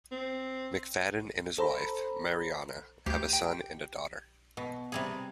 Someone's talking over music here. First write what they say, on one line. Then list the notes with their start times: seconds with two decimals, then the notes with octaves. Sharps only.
McFadden and his wife, Marianna, have a son and a daughter.
0.12 C4
1.58 A4 C5 A#5 B5
3.06 D2 G4 G6
3.33 G5
4.57 B2
4.92 C3 G3 G#4